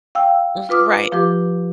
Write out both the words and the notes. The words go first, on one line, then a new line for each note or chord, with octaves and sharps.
M Right.
F5 G5 E6
F4 B4 D6 D#6 F6
F3 F4 G4 B4 D6